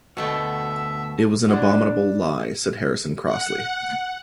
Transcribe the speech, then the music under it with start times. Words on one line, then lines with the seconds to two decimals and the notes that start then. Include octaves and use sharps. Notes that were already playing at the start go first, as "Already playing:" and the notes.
"It was an abominable lie," said Harrison crossly.
0.17 D2 B2 A3 F#4 E5 G5
1.48 D4 E4 F#4
3.25 F#5